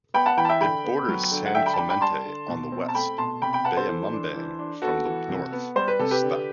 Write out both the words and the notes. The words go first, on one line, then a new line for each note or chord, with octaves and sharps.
It borders San Clemente on the west, Bayambang from the north, Sta.
B3 G5 B5
F#5 A5
E3 G5 B5
A5
E5 G5
D3 G5 B5
B3
F#3
D3
F#5
D3 E5 G5
G5 B5
A5
D4 G5 B5
G5 B5
G3 A5 C6
D3
B2
C4
A5
A3 G5 B5
B2 A5 C6
C3 G5 B5
G5 B5
B3 F#5 A5
A4 C5
E3
D4
E3
D4
B3 F#4 A4
E3
C3
B3
G3 C5
B4
C3 A4
G4 B4
D3